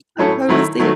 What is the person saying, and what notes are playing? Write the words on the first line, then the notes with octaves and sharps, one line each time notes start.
I'm totally seeing it.
A2 F#3 C#4 E4 A4
D#3 F#3 A3 E4
D#3 F#3 A3